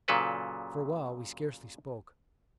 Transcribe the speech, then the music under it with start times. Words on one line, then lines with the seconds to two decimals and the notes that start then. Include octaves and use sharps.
For a while we scarcely spoke.
0.08 A#2 C#3 F#3 A4 B4 D5